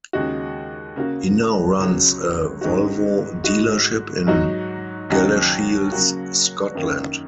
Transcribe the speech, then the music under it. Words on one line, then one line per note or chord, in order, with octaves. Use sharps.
He now runs a Volvo dealership in Galashiels Scotland.
D#2 C#3 G#3 F#4
C#3 A#3 F#4
C#2 C#3 F#3 C#4 F#4
G#2 D#3 G#3 C#4 F#4
G#2 G#3 F#4
G#2 F#3 D#4 F#4
D#2 C#3 F#3 D#4 F#4
C#3 F#3 A#3 F#4
F#2 D#3 A#3 C#4